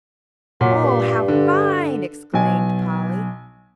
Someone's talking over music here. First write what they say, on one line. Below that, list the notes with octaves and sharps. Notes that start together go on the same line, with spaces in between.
"Oh, how fine!" exclaimed Polly.
A#2 F#3
G2
D3
B1 G#5